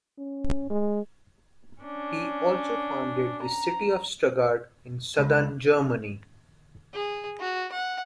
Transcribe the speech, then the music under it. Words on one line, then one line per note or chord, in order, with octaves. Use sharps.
He also founded the city of Stuttgart in southern Germany.
C#4
G#3
C#4 D4
A#5
C#2
G#4
F#4
F#5